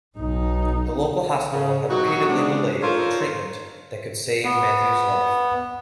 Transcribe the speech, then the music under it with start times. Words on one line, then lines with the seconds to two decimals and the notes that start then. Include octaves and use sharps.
The local hospital had repeatedly delayed the treatment that could save Matthew's life.
0.18 B1 D#4
1.51 C#3
1.90 C3 F#3 D#4 F#4
2.28 C#3 E3 G#3 D4
2.82 D#4 F4 A4 A#4 C5 C#5
4.45 B3